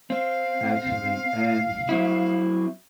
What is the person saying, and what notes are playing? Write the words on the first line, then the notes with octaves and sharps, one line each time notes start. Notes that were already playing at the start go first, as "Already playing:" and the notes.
actually, and he
C4 F5
F#3 C4 E4